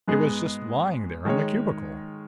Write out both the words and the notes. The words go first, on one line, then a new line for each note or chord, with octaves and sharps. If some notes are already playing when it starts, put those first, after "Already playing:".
It was just lying there in a cubicle.
G#2 G#3 B3 G#4
D#3 G#3 D#4 G#4 C#5